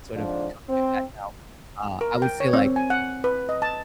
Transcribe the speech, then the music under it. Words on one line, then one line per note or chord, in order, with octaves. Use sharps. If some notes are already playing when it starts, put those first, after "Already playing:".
sort of come through that now. Uh, I would say like
F2 G#2 F3 D4
C4
A#4
G5
C#5
C4
G#5
F#5
B4
D#5
A5